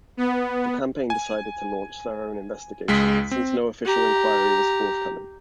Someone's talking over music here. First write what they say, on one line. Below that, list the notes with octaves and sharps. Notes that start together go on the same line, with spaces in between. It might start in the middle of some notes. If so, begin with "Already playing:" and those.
The campaign decided to launch their own investigation since no official inquiry was forthcoming.
B3
G#5
C#2 G#3 B6
C4
G4 A#5